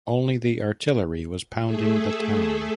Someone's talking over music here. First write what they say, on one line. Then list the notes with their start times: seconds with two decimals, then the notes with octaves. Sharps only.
Only the artillery was pounding the town.
1.65 A3 G#4 A4 E5